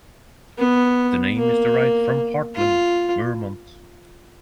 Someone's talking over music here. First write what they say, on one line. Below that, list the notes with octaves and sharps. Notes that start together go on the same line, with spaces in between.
The name is derived from Hartland, Vermont.
B3
A#3
F4